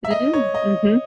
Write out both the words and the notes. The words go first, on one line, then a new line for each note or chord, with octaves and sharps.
Mm, mhm.
E5
D#5
C#5
D#5